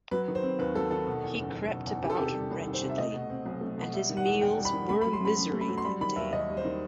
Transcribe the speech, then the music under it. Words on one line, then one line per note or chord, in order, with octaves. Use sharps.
He crept about wretchedly, and his meals were a misery that day.
F#3 B4
D#3
C5
C4
D#2 B4
F#3 A4
D#3 A4
B2
E2
F#1
F#1
B2
E2
D#3 G4
A4
C3 G4
A4
G3
C2
D#3
C5
C3
E5
A3 D#5
B2
C4
B1
A3
B2
G3 E5
D#3
F#5
E2
E2 G5
G3
B5
D#3
A3 B5
B5
F#3
C6
F#2 B5
F#2
A3
B5
F#3
C6
G3 B5
D#3 B5
D#2 E5
D#2 D#5
G3
C5
D#3